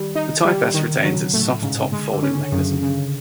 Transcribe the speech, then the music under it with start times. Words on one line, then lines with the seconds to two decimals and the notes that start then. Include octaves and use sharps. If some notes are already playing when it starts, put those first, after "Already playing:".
The Type S retains its soft top folding mechanism.
Already playing: D#3 G3
0.15 D#4
0.45 G3
0.74 D3 D#3
0.94 C#3
1.03 F#3
1.14 B2
1.34 A2 A3
1.62 G#2 C#3
1.92 D3 G#3
2.13 D3
2.23 C#3 C#4
2.52 F#2 C#3
2.82 C#3